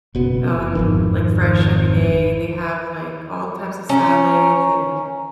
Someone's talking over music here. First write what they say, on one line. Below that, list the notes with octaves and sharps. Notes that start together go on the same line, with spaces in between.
um, like, fresh every day, they have, like, all types of salads and,
F#1 B2
G#1 F2 D#3
C#4 A#5